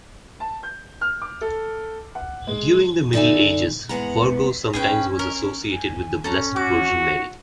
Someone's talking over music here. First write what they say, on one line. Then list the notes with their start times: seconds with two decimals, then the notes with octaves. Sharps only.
During the Middle Ages, Virgo sometimes was associated with the Blessed Virgin Mary.
0.40 A5
0.63 G6
1.01 F6
1.22 D6
1.41 A4
2.15 F#5
2.47 G#3
3.13 D3 D#4 D5 E5 G#5
3.89 E3 G#3 B3 F#5 A#5
4.73 C#4 G#4 B4 G5
5.19 A#4
5.72 G#5
6.24 C#4 A4 A#5
6.56 F#4 D6